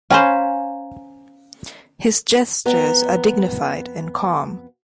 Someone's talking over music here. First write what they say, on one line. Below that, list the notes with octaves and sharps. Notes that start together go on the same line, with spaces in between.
His gestures are dignified and calm.
C#4 B4 C5 F5 G#5 A#5
F2 B3 A#5